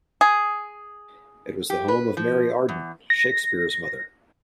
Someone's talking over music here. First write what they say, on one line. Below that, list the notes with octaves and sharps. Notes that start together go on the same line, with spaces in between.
It was the home of Mary Arden, Shakespeare's mother.
G#4
G4
B4
F3
E2
A#6